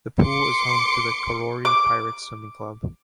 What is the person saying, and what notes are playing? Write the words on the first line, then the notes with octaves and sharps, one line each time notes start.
The pool is home to the Karori Pirates swimming club.
C6 D6 C#7
D6